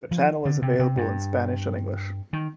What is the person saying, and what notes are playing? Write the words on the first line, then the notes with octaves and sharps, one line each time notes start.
The channel is available in Spanish and English.
F3
D3
C3
C3
G2
D#3